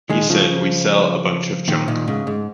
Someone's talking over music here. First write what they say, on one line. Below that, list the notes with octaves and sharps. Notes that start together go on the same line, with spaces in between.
He said "We sell a bunch of junk".
D#3 G#3
C#3 F3
A#2 D#3
A#2 D#3
G#2 C#3
G#2